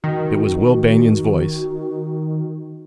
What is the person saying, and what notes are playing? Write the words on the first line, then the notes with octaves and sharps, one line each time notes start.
It was Will Banion's voice.
D#3 F#4